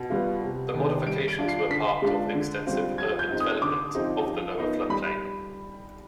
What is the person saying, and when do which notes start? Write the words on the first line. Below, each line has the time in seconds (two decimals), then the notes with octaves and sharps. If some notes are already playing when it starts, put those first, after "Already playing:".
The modifications were part of extensive urban development of the lower floodplain.
Already playing: B2
0.10 G3 B3 F4
0.43 C3
0.74 D#3 B3 D4
1.07 G3 D7
1.28 D7
1.39 D4 F4
1.49 C7
1.71 D3 B6
2.02 G#3 D4 F4
2.34 D3
2.67 G3 C4 F4
2.98 F3 G#6
3.19 G6
3.30 C4 D#4
3.40 D#6
3.62 D3 D6
3.95 F3 C4 D#4
4.27 F3
4.58 B3 D#4
4.90 G3 B5